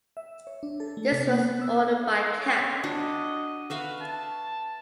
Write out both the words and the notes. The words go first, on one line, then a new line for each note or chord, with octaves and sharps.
This was ordered by cap.
E5
C#5
D4
A4
A3
C3
A#3
B3
E6
D#4
C#5
D4 F#4 D#5
F#4 B4 E5 F5
A5